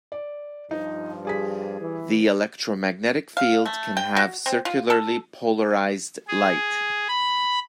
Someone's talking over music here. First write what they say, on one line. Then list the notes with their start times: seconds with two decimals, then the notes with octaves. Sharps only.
The electromagnetic field can have circularly polarized light.
0.12 D5
0.71 G2 F3 D#4
1.25 G3 G#4 B6
1.81 E3
3.37 F5
3.66 A3
3.97 G5
4.17 F#4
4.46 C4
4.65 F4
4.90 A4
6.28 G#4
7.08 B5